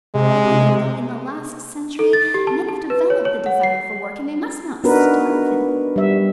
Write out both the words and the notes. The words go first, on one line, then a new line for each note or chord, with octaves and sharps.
I believe that in the last century men have developed the desire for work, and they must not starve it.
C3 G#3
A4
A6
G4
A5
A5
B4
C#5
C#5
F#5
C7
B3 D4 D#4 F#4 A#4 B4
G3 E5